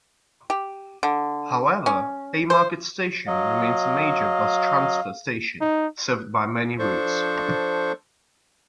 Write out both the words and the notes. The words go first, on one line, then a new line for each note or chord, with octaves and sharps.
However, Haymarket station remains a major bus transfer station, served by many routes.
G4
D3
C#4
C5
F#3 D#5 F5
D#4
F3 D4 A4 C5 C#6